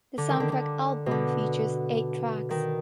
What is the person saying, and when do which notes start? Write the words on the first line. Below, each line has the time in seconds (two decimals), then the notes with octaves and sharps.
The soundtrack album features eight tracks.
0.18 D3
0.30 D#3
0.40 D3
0.52 D3
1.06 B2 D3
2.51 D#3